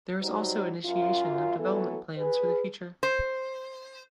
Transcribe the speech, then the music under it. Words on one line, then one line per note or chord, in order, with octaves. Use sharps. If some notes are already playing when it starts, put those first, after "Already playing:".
There is also initiation of development plans for the future.
F#3 G3 D#4 F#4 C5
F#2 F4
E3 F#3 B3 A4
G#4 B4
C5